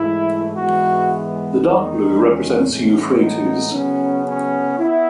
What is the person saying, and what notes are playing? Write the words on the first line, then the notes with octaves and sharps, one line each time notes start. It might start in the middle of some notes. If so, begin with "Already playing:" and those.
The dark blue represents the Euphrates.
Already playing: G#2 E3 A3 E4
G#2 E3 G#3 B3 F#4
E2 D#3 G#3 D#4
C#4
A2 E3 G#3 B3 C#4
D#4
C#3 F#3 B3 C#4
C#4
B3 E4